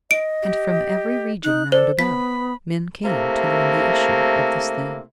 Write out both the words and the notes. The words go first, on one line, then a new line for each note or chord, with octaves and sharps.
And from every region round about men came to learn the issue of this thing.
D#5 D7
G4
D#4 F#6
A4 C5 D5
B3 B5 B6
C3 A3 A#3 E4